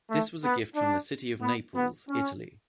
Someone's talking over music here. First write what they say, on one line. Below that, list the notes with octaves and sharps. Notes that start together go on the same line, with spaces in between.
This was a gift from the city of Naples, Italy.
A3
B3
D4
B3
B3
C#4